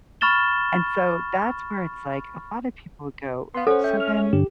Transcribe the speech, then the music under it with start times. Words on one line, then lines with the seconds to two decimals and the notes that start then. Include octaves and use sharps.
and so that's where it's like, a lotta people go, "So then,
0.21 B5 C#6 F6 A6 E7 G7
3.55 B3 F5 C6
3.67 C#4 A4 C5 F#5
3.84 E5 G5
4.00 F6
4.33 G2 D3 G4